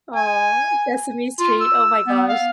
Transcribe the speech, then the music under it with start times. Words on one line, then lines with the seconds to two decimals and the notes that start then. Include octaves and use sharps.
Oh, Sesame Street, oh my gosh.
0.16 G#5
1.39 F4
1.61 E6
2.07 B3
2.29 F5